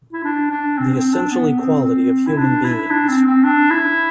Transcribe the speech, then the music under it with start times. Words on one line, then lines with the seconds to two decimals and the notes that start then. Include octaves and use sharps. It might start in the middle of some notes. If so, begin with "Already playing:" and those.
The Essential Equality of Human Beings.
0.13 E4
0.24 D4
0.51 D4
0.78 C4
0.96 C4
1.13 D4
1.31 B3
1.57 C4
1.84 C4
2.27 E4
2.38 D4
2.64 E4
2.91 D4
3.08 C4
3.26 C4
3.44 D4
3.71 E4